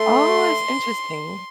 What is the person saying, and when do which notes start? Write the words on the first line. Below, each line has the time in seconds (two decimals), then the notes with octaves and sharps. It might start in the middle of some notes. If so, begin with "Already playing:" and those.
Oh, that's interesting.
Already playing: A3 C6